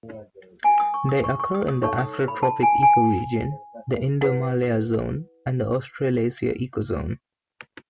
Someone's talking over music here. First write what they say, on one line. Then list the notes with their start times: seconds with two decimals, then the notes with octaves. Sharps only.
They occur in the Afrotropic ecoregion, the Indomalaya zone, and the Australasia ecozone.
0.64 G#5
0.80 D#6
0.94 C#6
1.09 D#6
1.24 C#6
1.40 C#6
1.54 D#6
1.68 D#6
1.83 D#4 A4 C#5 C#6
1.98 D#6
2.13 D#6
2.28 B5
2.43 A5
2.63 G#5
2.83 G#5
4.21 E4 B4 F#5